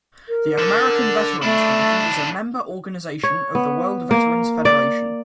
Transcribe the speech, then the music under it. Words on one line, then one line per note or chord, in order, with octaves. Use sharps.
The American Veterans Committee is a member organization of the World Veterans Federation.
A#4
D3
A3 D4 E4
C#5
B3
A#3
D5